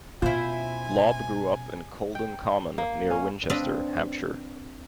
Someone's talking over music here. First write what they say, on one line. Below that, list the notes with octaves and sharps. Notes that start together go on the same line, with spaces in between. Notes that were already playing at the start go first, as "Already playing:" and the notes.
Lobb grew up in Colden Common near Winchester, Hampshire.
B2 C#4 E4 F4 C5 G#5
G5
A#3
C#4
C4 D4 B4 D5 D#5 F5